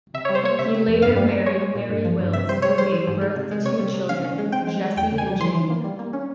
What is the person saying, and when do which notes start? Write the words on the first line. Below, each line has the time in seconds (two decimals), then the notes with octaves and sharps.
He later married Mary Wills who gave birth to two children: Jesse and Jane.
0.14 C3 E5
0.25 G3 C#5
0.35 C5
0.43 A#3 C#5
0.59 C3 E5
0.74 C3
0.87 F2
1.02 G2 F5
1.16 G3
1.31 A#3
1.45 G#3 C#5
1.61 G#3
1.75 A#2
1.89 G2
2.05 F3
2.19 G2
2.33 C3 E5
2.49 G3 C5
2.62 G3 C#5
2.78 G3 C5
2.92 E3
3.07 G#2
3.21 G#3
3.36 C3
3.51 G#3
3.65 C3 C#5
3.79 G3
3.94 C3
4.09 C#4 F5
4.24 C#4
4.38 G#3
4.52 C4 G5
4.67 G#3
4.82 G#3
4.97 E2 G5
5.12 C#3
5.18 G#5
5.27 G3
5.40 E3 C6
5.55 E3
5.70 A#3
5.84 G3
5.99 A#3
6.13 C#4